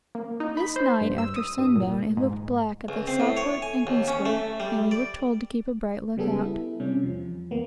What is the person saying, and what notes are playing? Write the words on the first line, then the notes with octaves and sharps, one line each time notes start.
This night, after sundown, it looked black at the southward and eastward, and we were told to keep a bright look-out.
A#3
D#4
B5
C5
G2
E6
D#6
G2
A#2
G#2
C#2
C4
A2
C#5
G#5
D#2
C#4
A3
G3
D5
C#3 G3 B3 G#4 A4
E4
C3 G3 C#4
E2 F3
D#2 A#3 B3